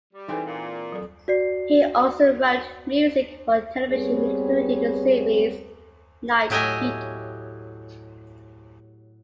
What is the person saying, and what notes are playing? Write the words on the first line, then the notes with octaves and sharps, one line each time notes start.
He also wrote music for television including the series "Night Heat".
G3
E3 C4 D#4 G#4 A4 B4
A#2
F#3 A4
F#4 D5 C7
G3 B3 C4 G#4 B4 C#5
A2 F#3 G4 D#5 E5 G#5